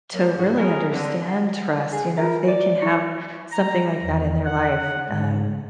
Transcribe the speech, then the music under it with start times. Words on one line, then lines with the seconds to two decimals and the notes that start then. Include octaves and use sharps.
to really understand trust, you know, if they can have something like that, in their life, um,
0.14 F#3 A#3
0.38 G#2 C#3 F#4
0.57 B2 E4 G#4 A#4
0.92 D3 C4
1.28 F#5
1.93 G#4
2.17 F4 A#4 E5
2.48 D5 D7
2.81 E4 C#6 C#7
3.51 A#5
4.02 E2
4.45 F#5
5.09 G#2